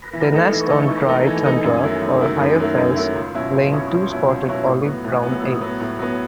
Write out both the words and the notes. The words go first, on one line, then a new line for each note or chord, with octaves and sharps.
They nest on dry tundra or higher fells laying two spotted olive-brown eggs.
E3
A3 D#4 A4
E3
A3 D#4 A4
E3
A3 D#4 A4
E3
A3 D#4 A4
F#2
D#3 F#3 A3 E4
F#2
D#3 F#3 A3 E4
F#2
D#3 F#3 A3 E4
F#2
D#3 F#3 A3 E4
C#2
B2 F#3 C#4 E4
C#2
B2 F#3 C#4 E4
C#2
B2 F#3 C#4 E4
C#2
B2 F#3 C#4 E4
A2
F#3 B3
A2
F#3 B3
A2
F#3 B3
A2
F#3 B3